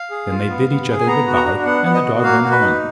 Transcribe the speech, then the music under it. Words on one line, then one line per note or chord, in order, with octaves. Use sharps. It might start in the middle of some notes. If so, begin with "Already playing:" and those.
Then they bid each other good-by and the Dog went home.
Already playing: F5
G#4
F4
B3
B3
G#4
G#5
B3 A#5
F#4
A#5
D4
B3 F#5
B3
D#5
F#4
A#3 F5
F#4
B4
D#4